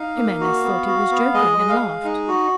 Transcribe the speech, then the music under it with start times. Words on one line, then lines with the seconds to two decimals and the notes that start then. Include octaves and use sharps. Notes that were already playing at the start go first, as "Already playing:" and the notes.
Jimenez thought he was joking, and laughed.
Already playing: D#4 F5
0.16 A#3
0.40 F#4
0.63 B3
0.87 F#4
1.11 B3
1.34 G#3 D#5
1.58 G#3
1.69 F5
1.80 G#3
2.05 D#4
2.28 F#4